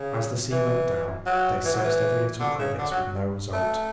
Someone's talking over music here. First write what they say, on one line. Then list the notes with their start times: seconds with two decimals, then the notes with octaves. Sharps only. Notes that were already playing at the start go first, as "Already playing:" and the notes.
As the sea went down, they searched every little crevice with no result.
Already playing: C#3
0.51 E3
1.26 F#3
1.65 E3
1.73 F#3
1.83 E3
2.40 D3
2.59 C#3
2.78 D3
2.91 F#3
3.53 A3